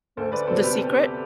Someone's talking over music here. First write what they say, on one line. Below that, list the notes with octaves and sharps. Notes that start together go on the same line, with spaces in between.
what was The Secret
D2 A4 C5
B4 D5
C3 F#3 B3 A4 C5
G4 B4